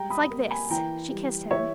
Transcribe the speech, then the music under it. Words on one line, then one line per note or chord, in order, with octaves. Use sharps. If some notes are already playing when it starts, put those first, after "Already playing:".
"It's like this." She kissed him.
Already playing: G3 G#3 G5 A#5
B5 D#6
A#3
G#5 B5
E3 G5 A#5
G3
E3 C#5 E5